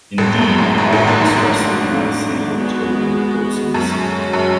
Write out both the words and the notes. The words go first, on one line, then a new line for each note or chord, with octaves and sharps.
Indeed, Ogg expressly denies saying what Toland quotes him as saying.
A1 A2 C#3 G#3 B3 D4 F4
F#2
G#1 G#2
G#1 G#2
A1 A2
G#1 G#2
G#1 G#2
G#1 G#2 F#3 A3 D4
G#3 B3 F#4
F#2 G#3 C#4 F#4 A4
F#2